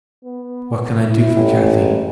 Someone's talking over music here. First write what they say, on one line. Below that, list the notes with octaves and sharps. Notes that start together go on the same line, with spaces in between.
What can I do for Cathy?
B3
E4
A1
G#3